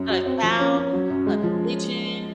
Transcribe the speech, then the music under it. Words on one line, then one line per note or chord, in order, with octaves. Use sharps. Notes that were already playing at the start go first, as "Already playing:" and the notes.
a cow, a pigeon,
Already playing: F#2
F#4
C4
F3
C#4
C#4
F#3
F#2
G#3
F3